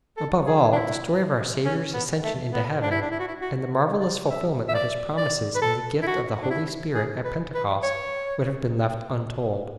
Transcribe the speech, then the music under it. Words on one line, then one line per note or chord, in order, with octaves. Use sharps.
Above all, the story of our Saviour's ascension into Heaven, and the marvellous fulfilment of His promises in the gift of the Holy Spirit at Pentecost, would have been left untold.
A4
G#4
D4
E4
C#4
B3
A3
B3
D4
E4
D4
E4
F#4
E4
F#4
D5
E5
E5
D5
D5
B4
A4
E4
F#4
D4
E4
G#4
B4
B4
C#5